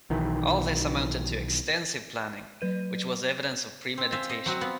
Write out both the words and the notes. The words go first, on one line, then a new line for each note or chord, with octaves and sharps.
All this amounted to extensive planning, which was evidence of premeditation.
B1 D#3 E3
F#3 B4 D#7
C4
C5 E5 F5 G#5
D#5
F#3 C4 F#4
B3 F4